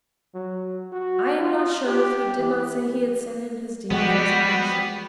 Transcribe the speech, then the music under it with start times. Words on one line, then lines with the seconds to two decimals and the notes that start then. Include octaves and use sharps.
I am not sure if he did not say he had sent in his deed of resignation.'
0.35 F#3
0.92 F#4
1.39 F4
1.87 G4
2.38 E3
3.91 F3 G3 G#3 B3 F#4